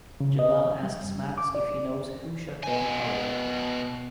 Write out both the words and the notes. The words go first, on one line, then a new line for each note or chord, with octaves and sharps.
Jalal asks Max if he knows who shot down the helicopter.
C#3
D#5
G3
F#2
D6
D5
B2 G#5